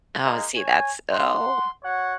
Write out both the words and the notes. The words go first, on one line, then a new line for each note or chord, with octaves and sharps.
Oh, see, that's Oh.
G#3 A#3 D#4
C#5 G#5
F#5 C6
F#4 C#5 F#5